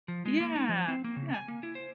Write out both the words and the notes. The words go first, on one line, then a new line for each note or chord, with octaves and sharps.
Yeah, yeah.
F3
G#3
A#3
D#4
F3
C4
A#3
C#3
G#5
A#3
E4
C5